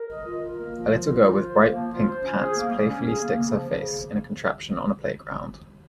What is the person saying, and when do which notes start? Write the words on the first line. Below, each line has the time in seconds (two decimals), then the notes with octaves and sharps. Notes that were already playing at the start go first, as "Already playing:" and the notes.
A little girl with bright pink pants playfully sticks her face in a contraption on a playground.
Already playing: A#4
0.10 D#5
0.26 F4
0.42 A#4
0.58 A#3
0.76 F3
0.91 F4
1.08 A#4
1.25 F4
1.41 C5
1.57 A#3
1.74 F3
1.90 F4
2.07 C5
2.23 C#4
2.40 G#4
2.56 A#3
2.72 G3
2.89 C#4
3.06 G#4
3.22 A#3
3.39 C#3
3.55 F3
3.71 C#3